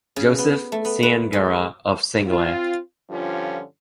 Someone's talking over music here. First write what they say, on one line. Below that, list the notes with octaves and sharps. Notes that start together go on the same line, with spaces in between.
Joseph Ciangura of Senglea.
C#3
B3
A3
B3
B4
G#3
C4 F4
G2 D3 F3 C#4 F4